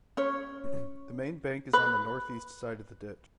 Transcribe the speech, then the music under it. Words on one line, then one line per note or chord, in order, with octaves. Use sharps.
The main bank is on the north-east side of the ditch.
C#4 C#5
B4